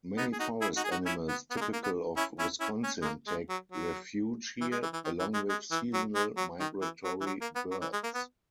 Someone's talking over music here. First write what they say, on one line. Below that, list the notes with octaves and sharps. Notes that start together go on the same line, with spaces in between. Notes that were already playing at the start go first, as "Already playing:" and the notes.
Many forest animals typical of Wisconsin take refuge here, along with seasonal migratory birds.
B3 D#4
G#4
D#4 F#4
E4 G#4
D#4 F#4
G#4
D#4 F#4
C#4 E4
B3
B3
A#3
G#3
A#3
B3
C#4 E4
C#4 E4
C#4 E4
C#4
G#3
A#3
G#3
F#3
F#3
E3
G#3
E3
E3
D#3
E3
G#3
G#3
E3
F#3
G#3
F#3
D#3
E3
F#3
E3
F#3
A#3
B3
F#3
E3
G#3
A#3
B3